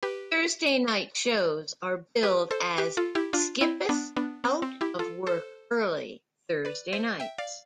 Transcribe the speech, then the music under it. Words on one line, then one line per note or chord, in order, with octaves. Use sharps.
Thursday night shows are billed as "Skippeth-Out-Of-Work-Early Thursday Nights".
G4 B4
G4 B4
A4 C5
G4 B4
F4 A4
E4 G4
D4 F4
C4 E4
B3 D4
B3 D4
C4
C4
E4 G4
F4 A4
A4 C5
B4 D5
C5 E5
E5 G5
D5 F5